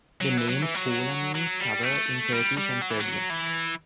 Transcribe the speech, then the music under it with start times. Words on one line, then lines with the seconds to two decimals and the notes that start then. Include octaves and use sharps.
The name "Kula" means "tower" in Turkish and Serbian.
0.21 F#3
0.38 E3
0.49 F#3
0.62 E3
0.75 F#3
1.34 F#3
1.60 G3
1.83 A3
2.33 G3
2.57 G3
2.81 F#3
2.90 E3
3.00 F#3
3.30 E3